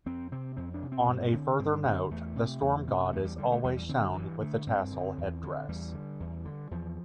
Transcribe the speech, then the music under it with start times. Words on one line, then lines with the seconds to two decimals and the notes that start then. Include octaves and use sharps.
On a further note, the Storm God is always shown with the tassel headdress.
0.06 F2 C4
0.32 C3 C4
0.57 F2 C4
0.74 D4
0.82 C3
0.92 C4
1.08 G2
1.33 D3
1.59 G2 C4
1.73 D4
1.85 D3 C4
2.11 E2 A3
2.36 C3
2.62 E2
2.88 C3
3.12 E2 A3
3.25 G3
3.38 D3 G3
3.52 A3
3.64 E2 G3
3.76 G3
3.89 D3 C4
4.03 G3
4.15 G2 E3
4.41 D3 A3
4.67 G2 C4
4.93 D3
5.18 E2
5.43 D3
5.69 E2 G3
5.94 D3
6.20 E2
6.45 D3
6.71 E2 F3